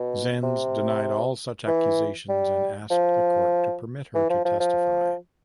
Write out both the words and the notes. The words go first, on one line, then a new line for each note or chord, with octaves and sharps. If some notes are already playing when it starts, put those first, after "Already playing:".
Zenz denied all such accusations and asked the court to permit her to testify.
Already playing: B2
C3
E3
G3
F3
E3
F3
F3
F3